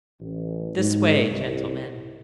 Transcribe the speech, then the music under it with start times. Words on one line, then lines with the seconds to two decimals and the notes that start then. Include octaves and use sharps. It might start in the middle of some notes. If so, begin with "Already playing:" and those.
'This way, gentlemen!
0.20 A1
0.77 G#2
1.30 C2